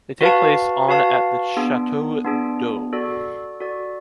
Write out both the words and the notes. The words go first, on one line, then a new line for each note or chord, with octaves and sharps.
They take place on at the Château-d'Œx.
F#4 B4 F5 A5
F#4 B4 F5 A5
B3 D4 G#4
B3 D4 G#4
F#4 A4 D5
F#4 A4 D5